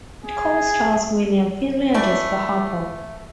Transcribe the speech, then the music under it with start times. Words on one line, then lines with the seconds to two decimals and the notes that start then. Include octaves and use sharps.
It co-stars William Finley and Jessica Harper.
0.24 G#4
1.94 E3 A3 D5